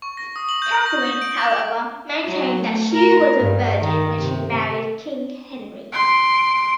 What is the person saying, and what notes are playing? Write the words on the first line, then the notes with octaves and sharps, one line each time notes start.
Catherine, however, maintained that she had been a virgin when she married King Henry.
C#6
A#6
D#6
F#7
G6
A#6
G6
D7
D6
F#3
A3
A#4
G2
D#3
C3
C6 D7